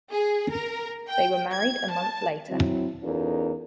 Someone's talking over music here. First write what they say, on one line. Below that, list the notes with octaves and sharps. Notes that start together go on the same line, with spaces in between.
They were married a month later.
G#4
A#4
G5
G#6
A5
F#3 C4 E4
E2 C#4 D#4 F4 A4 A#4